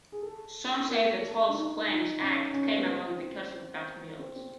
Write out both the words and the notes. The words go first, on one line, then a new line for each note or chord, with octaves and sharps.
Some say the False Claims Act came about because of bad mules.
G#4
A4
A#4
A4
D4
D#4
D#4
C#4
C#4
B3
C4
C4
C4